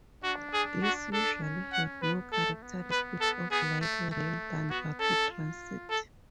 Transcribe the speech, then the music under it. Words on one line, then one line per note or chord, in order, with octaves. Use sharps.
These usually have more characteristics of light rail than rapid transit.
D4 F#4
G#4
F#4
D4 A4
C#4
F#5
B3 B4
A3 A4
B3
B4
A4
B3 G#4
A3
A3
B3 F#4
C#4 A4
F4
A4